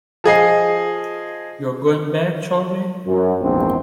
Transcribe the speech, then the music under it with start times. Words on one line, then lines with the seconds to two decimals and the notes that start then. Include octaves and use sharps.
You're going back, Charley?
0.24 F3 G#4 D#5 C7
3.07 F#2
3.42 A#1 E2 G#2 C4